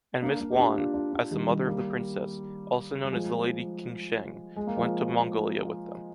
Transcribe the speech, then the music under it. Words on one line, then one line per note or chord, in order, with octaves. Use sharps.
And Mrs. Yuan, as the mother of the princess, also known as the Lady Qinsheng, went to Mongolia with them.
A#3 D4
A#3 D4
G4
D4 F4
D4 F4
D4 F4
D4 F4
D#3 G3
D#3 G3
G3 A#3
G3
F3 G#3
G#3
A#3
F3 G#3